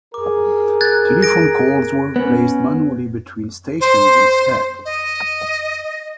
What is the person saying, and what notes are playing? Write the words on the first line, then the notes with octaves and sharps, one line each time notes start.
Telephone calls were placed manually between stations, instead.
G#4 A#4 D6
F#6 G#6 A6
A#6 D7
B3 C#4
C5
D#5